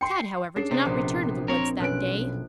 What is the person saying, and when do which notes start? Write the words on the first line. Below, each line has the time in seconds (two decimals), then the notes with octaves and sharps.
Tad, however, did not return to the woods that day.
0.01 G5 C6 C7 C#7
0.56 C#4 D4 G#4 C7
0.71 C3 B3 C5 D5
0.85 A#1
1.48 C4 A#4 C#5
1.80 B1 C#4 B4 F#6 D7